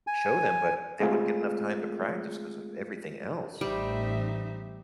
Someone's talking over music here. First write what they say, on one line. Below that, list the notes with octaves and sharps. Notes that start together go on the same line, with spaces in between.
show them, but they wouldn't get enough time to practice 'cause of everything else.
G#5
G#3 A3 C4 F4 G#4
A1 G3 D#4 C5 E5